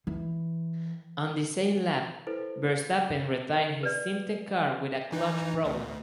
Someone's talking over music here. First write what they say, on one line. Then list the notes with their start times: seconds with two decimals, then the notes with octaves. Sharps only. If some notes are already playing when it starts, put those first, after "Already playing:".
On the same lap, Verstappen retired his Simtek car with a clutch problem.
0.07 E3
2.27 E4 A4 B4 C5
3.83 B4 D5
5.12 E3 D#4
5.65 D2